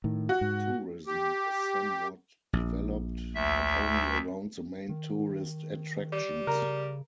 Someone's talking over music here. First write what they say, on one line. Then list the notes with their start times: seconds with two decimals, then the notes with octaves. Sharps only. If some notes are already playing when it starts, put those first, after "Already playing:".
Tourism is somewhat developed, but only around the main tourist attractions.
0.04 A2 D#3
0.29 F#4
0.41 G#2
1.07 G4
2.53 A#1
3.35 D2 E5
4.89 D#3
6.12 G3
6.47 C#3 A#4